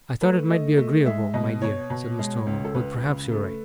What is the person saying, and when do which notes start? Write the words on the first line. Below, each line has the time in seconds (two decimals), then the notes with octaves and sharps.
'I thought it might be agreeable, my dear,' said Mr. Omer. 'But perhaps you're right.'
0.22 A3 B4
0.49 A3 D#5
0.77 A3
1.06 G#3 E5
1.34 B2 D#5
1.62 B2 C#5
1.90 B2
2.19 G#3
2.46 C#2
2.64 A4
2.74 C#2 B4
3.03 C#3
3.32 A3